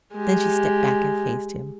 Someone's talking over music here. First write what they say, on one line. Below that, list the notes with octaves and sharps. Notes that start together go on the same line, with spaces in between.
Then she stepped back and faced him.
G#3 G4